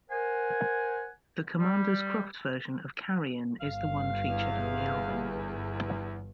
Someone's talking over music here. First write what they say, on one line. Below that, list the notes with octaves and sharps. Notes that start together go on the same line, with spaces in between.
The Commander's Croft version of "Carrion" is the one featured on the album.
A#4 C5 F#5 G#5
G3
G1 G2 F5
E2